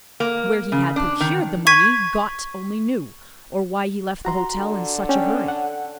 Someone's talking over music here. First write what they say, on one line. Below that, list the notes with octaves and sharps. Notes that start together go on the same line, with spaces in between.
Where he had procured the money "Gott" only knew, or why he left the hotel in such a hurry.
A#3
C#3
D4
D#3
C#6 G#6 B6 D#7
F#4 A#5 C6
D3
C#4 D5 G5
F#5